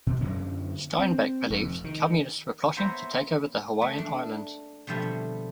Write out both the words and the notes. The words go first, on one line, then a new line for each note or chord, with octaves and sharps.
Stainback believed Communists were plotting to take over the Hawaiian Islands.
B2
F#2 D3 F#3 C#4
C4
F1
D#3
A#3 B3 C5 C#5 E5 A#5
A3
D4
B2 D3 F3 G3 A3 C4